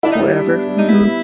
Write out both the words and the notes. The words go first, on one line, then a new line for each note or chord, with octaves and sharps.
whatever, mhm.
D4 E4
D#4
D4
G3
B3
G3
D#4
B3 E4